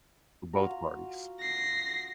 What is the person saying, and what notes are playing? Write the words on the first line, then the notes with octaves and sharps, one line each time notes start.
For both parties.
F4 F#4 A#5
A#6 C7